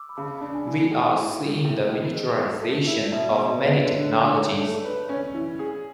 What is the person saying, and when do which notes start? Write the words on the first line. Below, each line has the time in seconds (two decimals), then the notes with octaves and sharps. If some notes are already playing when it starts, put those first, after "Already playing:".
We are seeing the miniaturization of many technologies.
Already playing: D6 E6
0.09 B5
0.17 C#3 A5
0.41 D4
0.54 G#5
0.67 E3
0.91 A2
1.16 A2
1.40 E3
1.65 A2
1.90 A2
2.13 G#3
2.39 A3 F#5
2.63 A3
2.87 E4
3.06 D5
3.12 B2 E5
3.37 B2 D5
3.56 B4
3.61 G#3 C#5
3.86 D3 C#5
4.11 D3 D5
4.35 A3 C#5
4.60 A3 D5
4.85 B4
5.09 C#4
5.34 E3
5.59 G#4